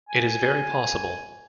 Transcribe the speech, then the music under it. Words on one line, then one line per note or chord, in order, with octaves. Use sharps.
It is very possible.
G#5